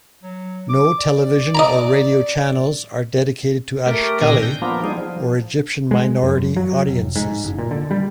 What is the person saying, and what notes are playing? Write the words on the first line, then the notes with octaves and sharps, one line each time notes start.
No television or radio channels are dedicated to Askhali or Egyptian minority audiences.
F#3
D6
D5
D#5 A5 A#5
A3 G4 A#4
A#2 D#3 C4 D4 G#5 A#6
G6
F3 A#3 B3 D4 F4
G3 D#4 G#4
F3
G#3
F#2
F#3
F1
G#2
F#1
A#2
D3
G3